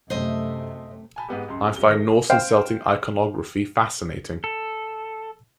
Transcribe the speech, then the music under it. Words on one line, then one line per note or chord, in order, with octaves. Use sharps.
I find Norse and Celtic iconography fascinating.
F#2 C3 A3 C5 D#5 E5
G#5 A5 B5
G#2 B3 G4
C#2 F#2 C6
F1 B1
G1 G3 G7
D#3 A3 A#6
C5 F5 G5
A4